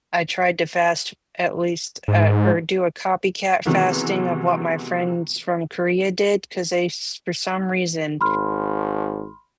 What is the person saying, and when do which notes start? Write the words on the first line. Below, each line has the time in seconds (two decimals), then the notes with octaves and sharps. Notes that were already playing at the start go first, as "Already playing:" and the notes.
I tried to fast, at least, uh, or do a copycat fasting of what my friends from Korea did, 'cause they s for some reason,
2.08 G#2
3.66 C3 D#3 E3 F#3 G#3 B3
8.21 G#1 B5 C6 F6